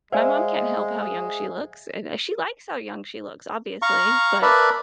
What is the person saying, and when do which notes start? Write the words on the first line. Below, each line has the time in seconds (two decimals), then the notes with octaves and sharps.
my mom can't help how young she looks, and, eh, she likes how young she looks, obviously, but
0.12 G#3 C5 D5 E5 F5 G#5
3.82 F5 A#5 C#6
4.42 A#4 B4 D5 E5 A5 B5